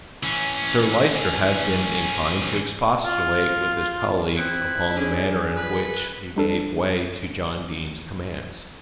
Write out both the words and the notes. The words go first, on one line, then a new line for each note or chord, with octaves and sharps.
Sir Lyster had been inclined to expostulate with his colleague upon the manner in which he gave way to John Dene's demands.
E3 C#4
F4
F3 C4 E4 F#6
C#4 D4 G#4
B4
G3 D4 A4